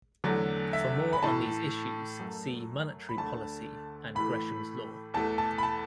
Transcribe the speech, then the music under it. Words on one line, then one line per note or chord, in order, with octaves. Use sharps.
For more on these issues, see Monetary policy and Gresham's Law.
E2 D3 F#3 A3
E5
B5
A2 E3 A3 A5
F#2 F#3 A3
B5
D2 D3 A3 A5
A2 E3 A3 B5
E2 E3 A3 A5
A5
B5
A5